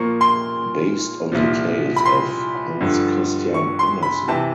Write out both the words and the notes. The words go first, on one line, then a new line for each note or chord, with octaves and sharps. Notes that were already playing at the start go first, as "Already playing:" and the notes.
Based on the tales of Hans Christian Andersen.
Already playing: A#2 F3 A#3 C#6
C6
C2 A#2 F3
B5
C6
G2 D3 F3
C#6
C6
B5
C3 E3 A5